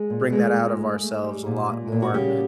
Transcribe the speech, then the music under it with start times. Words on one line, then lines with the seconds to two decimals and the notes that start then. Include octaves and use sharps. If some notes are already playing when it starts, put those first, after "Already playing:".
bring that out of ourselves a lot more,
Already playing: G#3 G#4
0.10 A#2
0.32 G#3 A3 G#4
0.56 A#2
0.78 A3
1.01 A3
1.23 G3
1.46 A#2
1.69 A#2
1.92 A#2
2.02 F#4
2.14 C#3 G3 G4